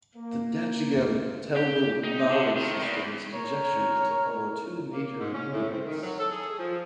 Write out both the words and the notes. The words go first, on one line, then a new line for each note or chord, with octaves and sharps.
The Dachigam Telbal Nallah system is conjectured to follow two major lineaments.
A#3
G4
D#4
D3
D#3
E2
A#4 C#5
A#3
G#2
C#4
A2
C4
D#3
F#3
A4
G#4
F3